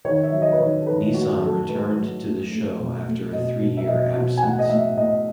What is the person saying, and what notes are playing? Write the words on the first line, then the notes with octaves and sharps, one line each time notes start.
Nissan returned to the show after a three-year absence.
D#3 C#5
E5
F#3
D#5
B4
D#3 C#5
A4
D#3 B4
A2 F#4
F#3 A4
A2 B4
F#3
A3
A3
B2
A3
B2 D#5
B2
E5
B2 D#5
B2
G#5
A2 F#5
D#5
A2 E5
A2 D#5